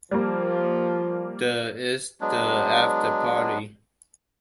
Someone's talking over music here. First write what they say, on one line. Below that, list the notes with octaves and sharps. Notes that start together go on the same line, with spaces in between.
The is the afterparty.
F3 G3 A#3
F#3 G#3 B3 D4